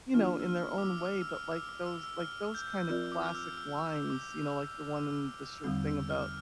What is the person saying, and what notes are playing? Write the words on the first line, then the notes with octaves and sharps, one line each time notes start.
you know, in their own way, but, like, those like, those, kind of, classic lines, you know, like the one in The Sure Thing, about,
E3 A#3 D4 F4 F6
E6
F6
D6
E6
F6
E6
F6
E6
D6
E6
E6
F6
G6
F3 C4 F4 A#4 D5 E6
D6
F6
E6
E6
E6
E6
D6
E6
E2 D3 G3 C4 E6
E6
F6